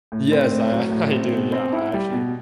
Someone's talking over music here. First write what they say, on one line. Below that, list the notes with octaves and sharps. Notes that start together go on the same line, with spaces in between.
Yes, I I do, yeah, I actually
A2
C4
A2
F#3
A2
C4
B2
C4
E4
G3
B2